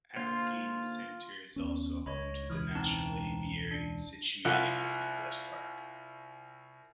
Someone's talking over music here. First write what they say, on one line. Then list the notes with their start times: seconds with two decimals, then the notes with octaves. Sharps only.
Allegheny Center is also home to the National Aviary, situated within West Park.
0.16 D3 A#3 F4 C5
1.56 D#2 B3 C#4
2.06 C#2 C#5 D#5 B5
2.50 E1 C#2 E3 B5 D#6 F6
2.75 C4 D#4 A5
3.71 D4
4.45 C2 F4 F#5